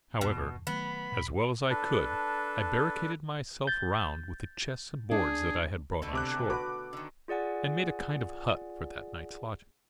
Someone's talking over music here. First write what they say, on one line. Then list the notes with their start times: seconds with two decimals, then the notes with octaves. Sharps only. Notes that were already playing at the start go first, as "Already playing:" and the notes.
However, as well as I could, I barricaded myself round with the chests and boards that I had brought on shore, and made a kind of hut for that night's lodging.
0.21 E2 G2 B2
0.67 D#3 F#3 A3 B3 B5
1.12 F2 A#2
1.70 D4 A4 B4
3.67 G6 A6
5.11 D4 G#4
6.02 B2 D3 A3
6.13 C3 D6 F#6
6.50 F#4 B4 D6
6.93 D3 D#3
7.28 F4 G#4 D5 F#5 G#5